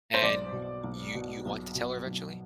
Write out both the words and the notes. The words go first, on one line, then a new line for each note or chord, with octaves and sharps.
And you you want to tell her eventually?
C5
B1 D5
B2
B1
B2
B1
B2
B1